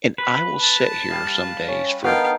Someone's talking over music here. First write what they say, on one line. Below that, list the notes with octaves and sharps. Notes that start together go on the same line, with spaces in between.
and I will sit here some days, for
B4
A5
G3 F5
C#4
D3 D#3 B3 F5 G5